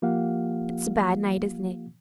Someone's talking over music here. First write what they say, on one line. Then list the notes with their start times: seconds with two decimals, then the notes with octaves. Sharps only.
It's a bad night, isn't it?
0.02 F3 A#3 F4 G4 F5 F#5